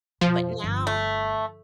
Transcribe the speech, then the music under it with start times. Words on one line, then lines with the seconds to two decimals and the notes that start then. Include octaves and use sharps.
but now
0.21 F2 B2 F3
0.64 G1
0.87 A3